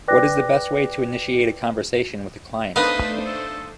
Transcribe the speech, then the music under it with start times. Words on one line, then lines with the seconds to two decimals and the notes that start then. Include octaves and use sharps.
What is the best way to initiate a conversation with a client?
0.08 B4 D5 G5 D6 F#6 A#6
2.76 A3 B3 D4 D#4 B4 C5 D#5 F5
3.26 A4